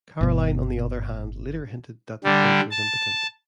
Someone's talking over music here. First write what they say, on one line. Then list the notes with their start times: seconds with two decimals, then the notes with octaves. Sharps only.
Caroline on the other hand later hinted that the Prince was impotent.
0.21 G1 B2
2.24 D3 G3
2.71 A5